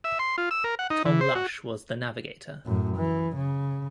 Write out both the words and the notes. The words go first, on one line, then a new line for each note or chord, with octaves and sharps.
Tom Lush was the navigator.
E5
C6
F4
E6
A#4
F#5
D#4
E3
C5
F#4
F#2 A2
E3
C#3